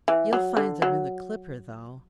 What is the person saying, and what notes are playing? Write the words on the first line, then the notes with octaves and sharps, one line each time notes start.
You'll find them in the 'Clipper,' though.
E3
F#3
D3
F#3